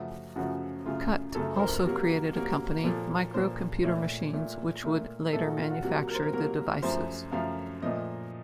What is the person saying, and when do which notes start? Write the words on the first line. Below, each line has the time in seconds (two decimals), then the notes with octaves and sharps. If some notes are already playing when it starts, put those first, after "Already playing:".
Kutt also created a company, Micro Computer Machines, which would later manufacture the devices.
Already playing: F#2 C#3 F3 A3 F#4
0.36 F#2 C#3 F3 A3 F#4
0.86 F#2 C#3 A3 F4
1.35 F#2 C#3 A3 A4
1.56 C5
1.59 A#4
1.84 C3 F#3 A#3
2.34 C3 F#3 A#3 A#4
2.84 A#2 F3 A#3 A4
3.34 A#2 F3 A#3 C5
3.83 A#2 A3 C#5
4.33 A#2 A3
4.84 A#2 A3 A#4
5.33 A#2 A3 A4
5.46 F#4
5.57 F4
5.71 F#4
5.83 C3 F#3 A#3 F#4
6.08 A#4
6.15 C5
6.23 A#4
6.33 C3 F#3 A#3 A#4
6.82 F#2 F3 A3 C5
7.31 F#2 F3 A3 F5
7.82 A#2 F3 A3 D#5